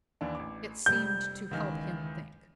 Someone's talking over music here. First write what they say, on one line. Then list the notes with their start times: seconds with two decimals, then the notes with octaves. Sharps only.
It seemed to help him think.
0.21 D#2 E3 D4
0.35 A1 D6
0.86 F1 G3 G6
1.51 C#2 D#3 E3